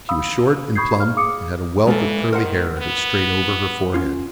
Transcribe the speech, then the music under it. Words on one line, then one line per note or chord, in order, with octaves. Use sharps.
She was short and plump and had a wealth of curly hair that strayed over her forehead.
F5 B5 D#6 E6
B5 C#6 D#6 G6 G#6 C7
C#5 F5 F6
G#4 F5 D6 D#6 C#7
E3 G#3 A#3 A4
D#3 A#4 C5 F#5
B3
C#4 F4